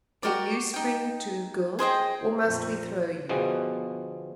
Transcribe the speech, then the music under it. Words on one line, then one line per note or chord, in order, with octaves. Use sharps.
"Can you spring too, girl, or must we throw you?"
F#4 G4 A#4 D5
D#4 G5
G#4 C5 D#5 G5
F2 A#2
G1 B2 F3 G3 G#4